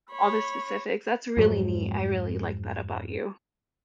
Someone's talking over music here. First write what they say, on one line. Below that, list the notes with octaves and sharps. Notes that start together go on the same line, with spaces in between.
all the specifics. That's really neat. I really like that about you.
C#5 B5
F2 G#2 F#3